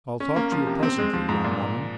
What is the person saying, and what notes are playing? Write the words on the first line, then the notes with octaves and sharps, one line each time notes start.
I'll talk to you presently, young woman.
C#4
A#3
F3
C3
C4
G#3
F3
G#2
A#2